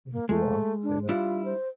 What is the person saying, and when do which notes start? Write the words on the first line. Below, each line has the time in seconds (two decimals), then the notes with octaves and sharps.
If you want to say that.
0.12 A#3
0.29 G#3 A3
0.83 D4
1.09 G3 D4 E4 F4
1.45 C5